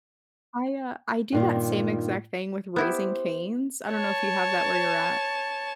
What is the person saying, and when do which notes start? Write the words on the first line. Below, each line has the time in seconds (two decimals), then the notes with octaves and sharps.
I, uh, I do that same exact thing with Raising Cane's, I don't know if you have that where you're at.
1.32 G2 A#2 D#3
2.76 B3 E4 G4 C5
3.90 C#5 A5